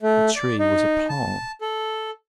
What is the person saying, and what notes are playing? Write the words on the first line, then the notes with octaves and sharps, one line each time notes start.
The tree was a palm.
A3
D5
D#4
A5
A4